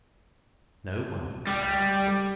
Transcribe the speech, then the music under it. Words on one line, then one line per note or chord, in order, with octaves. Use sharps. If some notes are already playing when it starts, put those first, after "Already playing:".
"No one," I answered.
G3